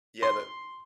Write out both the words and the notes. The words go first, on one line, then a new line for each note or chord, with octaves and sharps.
Yeah, the
C6